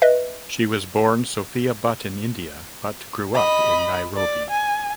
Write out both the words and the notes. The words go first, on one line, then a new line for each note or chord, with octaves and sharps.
She was born Sophia Butt in India but grew up in Nairobi.
B4 D#5 E5
D#5 B5
D5
G#5